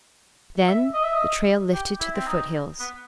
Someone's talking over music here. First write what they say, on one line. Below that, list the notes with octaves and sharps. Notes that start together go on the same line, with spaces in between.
Then the trail lifted to the foothills.
E5
D#5
E5
D#5
G4
E4
C4
D#4
B3